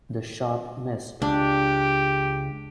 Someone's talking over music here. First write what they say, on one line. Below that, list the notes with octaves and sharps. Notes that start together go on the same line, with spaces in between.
The shot missed.
C#2 D4 G4